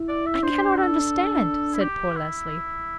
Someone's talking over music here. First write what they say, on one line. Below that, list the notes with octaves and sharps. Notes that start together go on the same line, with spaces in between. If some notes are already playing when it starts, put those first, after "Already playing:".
"I cannot understand," said poor Leslie.
Already playing: E4
D5
E5
D4 C5
A4
E4
G4
E4